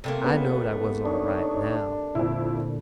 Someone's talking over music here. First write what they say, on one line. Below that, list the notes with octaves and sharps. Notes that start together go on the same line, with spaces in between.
I knowed I was all right now.
C3 A3 A#3
C#2 B3
D4 D#4 C#5
F2 A#2 D3 E4